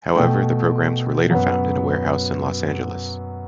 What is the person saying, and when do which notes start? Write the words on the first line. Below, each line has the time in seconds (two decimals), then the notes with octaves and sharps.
However, the programs were later found in a warehouse in Los Angeles.
0.16 B2 A3 G5
1.30 F#2 F#3 B3 F#5